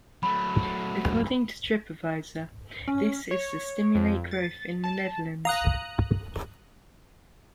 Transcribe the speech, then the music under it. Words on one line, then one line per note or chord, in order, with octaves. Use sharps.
According to TripAdvisor, this is to stimulate growth in The Netherlands.
F#3 A3 B5
C#4
C#5
F2
A6
A5
F5 A#5 D#6 F#6